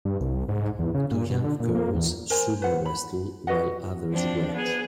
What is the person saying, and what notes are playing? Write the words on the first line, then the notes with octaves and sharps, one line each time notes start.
Two young girls sumo wrestle while others watch.
G2
C2
G#2
E2
C#3
A#2
B2
D3
A#2
A#3
E2
A#4 C5 G#5
B4 C5 F#5
B5
F#4 B4 D#5 F#5
F3 C4 D4
B3 G#4